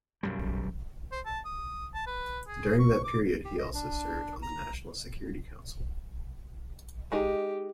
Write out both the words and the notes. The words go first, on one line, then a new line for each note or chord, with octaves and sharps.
During that period, he also served on the National Security Council.
B1 F#2 G3
C5
A5
D#6
A5
B4
G#4
C#6
D6
G4
D#5
D4
A#5
G#3 D#4 G4 G#4